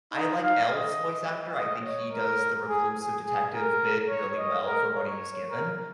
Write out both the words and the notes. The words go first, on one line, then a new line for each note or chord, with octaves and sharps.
I like L's voice actor, I think he does the reclusive detective bit really well for what he's given.
D#4
F5
D#5
D#5
C#5
A#4
G#4
G#4
G#4
A#4
C#5
D#5
A#4
C#5
A#4